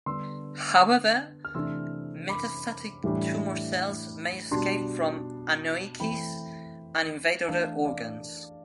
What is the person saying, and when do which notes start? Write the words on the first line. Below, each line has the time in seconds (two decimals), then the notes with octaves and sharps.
However, metastatic tumor cells may escape from anoikis and invade other organs.
0.06 D3 G3 B3 D4 C6 E6
1.45 F6
1.55 C3 E3 A3 D4 C6 E6
2.29 B5 D6
3.04 A2 E3 G3 D4
4.51 B2 G3 D4 A5 C6
6.00 E3 A3 C4 G5 B5
7.48 E3 A3 D4 F5 A5
7.85 D5 F5